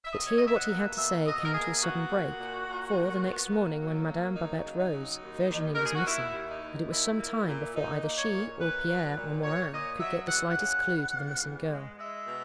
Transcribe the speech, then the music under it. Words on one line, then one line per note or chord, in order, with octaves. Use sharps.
But here what he had to say came to a sudden break; for, the next morning, when Madame Babette rose, Virginie was missing, and it was some time before either she, or Pierre, or Morin, could get the slightest clue to the missing girl.
E5
B2 D#5
C#5
B2 D#5
E5
F#5
A#3
B2 E5
B2 D#5
A#4
A#3 G#4
B3 F#4
A#2
A#2
A#2
A#2
B3
A#3
F#3
A#3
F#3 D#4
C#3
D#4
F#3
D#2
D#2
D#2 A#4
G#4
F#4
D#2 E4
D#2
D#4
D#2
A#2 E4
A#3
A#2
A#2 D#4
A#3
C#5
A#2
A#2 B4
F#3
A#2
A#2 C#5
A#2 D#5
F#3 E5
E2 F#5
F#5
C#3
E2
E2
E2
G#3
G#3 E5
B2